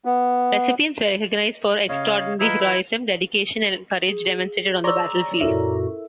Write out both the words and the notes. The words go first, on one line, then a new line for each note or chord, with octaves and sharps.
Recipients were recognised for extraordinary heroism, dedication, and courage demonstrated on the battlefield.
B3
C#3 C#5 D#5 F5
E3 E4 F4 B4 D#5 A#5
E4
G#4
C#5 D5 A#5 C6 C#6 E6
F#2 A#2 E4 F#4 A4 A#4 E5